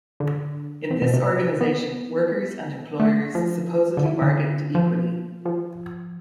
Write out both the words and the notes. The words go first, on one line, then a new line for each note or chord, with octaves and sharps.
In this organisation, workers and employers supposedly bargained equally.
D3
C3
B2
C3
B3
A3
F3
D3
E3
D3
F3
F3